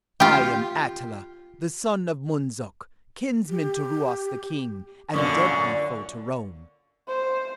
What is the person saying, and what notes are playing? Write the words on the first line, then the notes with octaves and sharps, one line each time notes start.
"I am Attila, the son of Mundzuk, kinsman to Ruas the king, and deadly foe to Rome."
F4 G4
G4
F#2 A#2 D3 C#6
C5